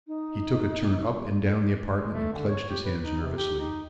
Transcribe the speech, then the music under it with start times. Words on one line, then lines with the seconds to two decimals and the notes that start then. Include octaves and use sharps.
He took a turn up and down the apartment and clenched his hands nervously.
0.08 D#4
1.87 G#3
2.12 A3
2.33 D3
2.48 C#5
2.70 G4
2.84 B4
3.04 D#4
3.22 C3
3.37 G4
3.60 D#4